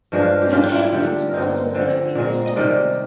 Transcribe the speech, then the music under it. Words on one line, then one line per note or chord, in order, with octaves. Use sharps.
The taillights were also slightly re-styled.
G2 F3 G#3 D4
F4
G4
G#2 G3 A#3 D4 F4
G4
F4
D3 G3 D4 G4
A#4
G2 D3 G#3 D#4 C5
D3 F3 C4
A#2 G#3 C4
D#5
C3 D#3 G3 D5